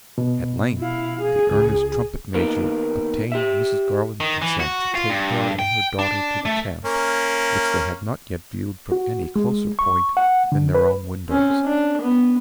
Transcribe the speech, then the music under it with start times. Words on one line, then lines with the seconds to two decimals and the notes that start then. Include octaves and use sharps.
At length the earnest trumpet-major obtained Mrs. Garland's consent to take her and her daughter to the camp, which they had not yet viewed from any closer point than their own windows.
0.18 B2
0.79 E4 F5
1.21 G#4
1.51 C#2
2.34 D#3 A#3 B3
3.32 G4 E5
4.20 D#3
4.42 E3
4.60 F#4
4.95 F4
5.10 G2
5.59 G5
5.99 D4
6.45 A3
6.85 A#3 C#4
8.92 F#4
9.36 G#3
9.79 C#6
10.17 F#5
10.52 D3
10.75 B4
11.29 C4 C#4
11.65 D4
12.01 B3